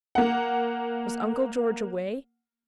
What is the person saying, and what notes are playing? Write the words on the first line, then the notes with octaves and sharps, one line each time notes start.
Was Uncle George away?
A#3 F#5